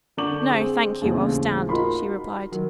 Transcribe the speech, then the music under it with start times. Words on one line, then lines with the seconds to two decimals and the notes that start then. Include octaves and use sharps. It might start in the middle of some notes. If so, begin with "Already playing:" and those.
"No, thank you, I'll stand," she replied.
0.17 D3 D4 C#6 D6 G6 F#7
0.50 C4 G#4
1.01 D#2 A2 C#3 E3 C4
1.69 D#4 F4 F#4 A#4 B5 C6
2.52 D#3 F#3